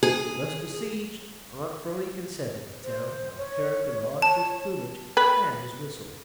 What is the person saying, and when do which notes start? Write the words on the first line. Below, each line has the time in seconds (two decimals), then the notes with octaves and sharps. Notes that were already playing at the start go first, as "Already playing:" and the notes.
Thus besieged, Aunt 'Phrony consented to tell how the Terrapin lost his plumage and his whistle.
0.03 G#4
2.83 C5
3.37 C#5
4.22 C#5 A5
5.17 B4